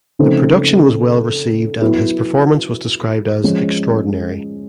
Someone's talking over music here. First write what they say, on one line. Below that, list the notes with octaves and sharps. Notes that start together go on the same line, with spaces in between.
The production was well received and his performance was described as "extraordinary".
C#3 F3 A3 C4 D#4
F#3 B3 E4
F3 G#3 C#4